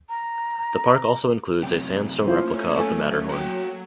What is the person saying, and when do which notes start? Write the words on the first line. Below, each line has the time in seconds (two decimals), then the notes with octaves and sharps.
The park also includes a sandstone replica of the Matterhorn.
0.09 A#5
1.63 F#2 C3 G5
2.27 A3 A#3 C#4 E4 F4 C5
2.78 F#3 A3 A4 G#5
3.30 F#4 G5